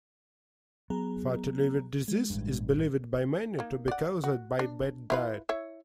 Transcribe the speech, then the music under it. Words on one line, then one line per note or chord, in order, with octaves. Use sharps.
Fatty liver disease is believed by many to be caused by bad diet.
F#3 B3 G#4 A#5
G#3
A1 G2
A#3 D#4
D5 F#5
F#4
D4
E4 F4 B4
E4 C#5 E5